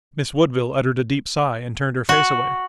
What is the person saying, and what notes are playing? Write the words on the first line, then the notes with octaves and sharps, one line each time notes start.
Miss Woodville uttered a deep sigh and turned her face away.
F#4